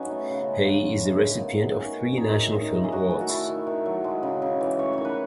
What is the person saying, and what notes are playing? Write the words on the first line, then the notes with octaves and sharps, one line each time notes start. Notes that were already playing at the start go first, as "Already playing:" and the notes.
He is the recipient of three National Film Awards.
Already playing: F#3 B3 C#4 D#4
A3
C#3
G#3
C#3
G#3
A3
D#3
D#3
F#3
D#3 C#4
A3
D#3 D#4
A3
D#3 D#4
A3
G#4
D#3 F#4
A3
F#4
A3 E4
D#3
D#3
F#3
G#3
C#3
C#3
E3
A3 C#5
D#3 C#5
B4